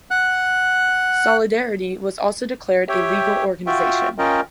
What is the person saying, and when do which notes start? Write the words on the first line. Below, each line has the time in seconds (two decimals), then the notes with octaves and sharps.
Solidarity was also declared a legal organization.
0.11 F#5 F#6
2.89 G4 C#5 E5 G5
3.67 F4 F#4 E5 G5
4.18 C#4 F4 A#4 D#5 G5